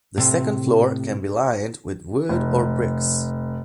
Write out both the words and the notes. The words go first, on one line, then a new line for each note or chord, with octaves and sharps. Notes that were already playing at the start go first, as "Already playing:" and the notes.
The second floor can be lined with wood or bricks.
A2 C3
F1